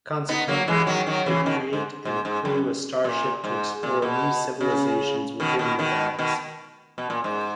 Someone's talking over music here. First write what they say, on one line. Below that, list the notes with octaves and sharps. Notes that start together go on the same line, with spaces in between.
Consequently, they create and crew a starship to explore new civilizations within the galaxy.
B3 D#4
F#3 A#3
E3 G#3
D#3 F#3
D#3 F#3
C#3 E3
B2 D#3
G#2
G#2
G#2
F#2
A#2
G#2
A#2
B2
C#3
B2 D#3
B2 D#3
B2 D#3
B2 D#3
B2
A#2
G#2